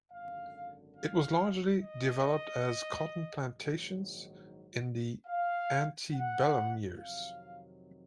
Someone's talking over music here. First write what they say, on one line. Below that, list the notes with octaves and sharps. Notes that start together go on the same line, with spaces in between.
It was largely developed as cotton plantations in the antebellum years.
G#1 F#2 D3 F5
F5
D#5
A#1 G#2 D#3 F#3
F5
F#5
F2 C3 D#3 F#3 F5